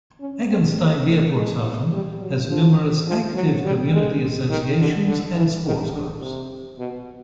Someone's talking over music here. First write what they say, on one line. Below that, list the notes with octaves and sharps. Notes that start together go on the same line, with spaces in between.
Eggenstein-Leopoldshafen has numerous active community associations and sports clubs.
C#4
C4
A#3
A3
G#3
G3
F#3
F3
F3
F#3
G3
G#3
D#3
D3
D3
E3
D#3
D3
C3
B2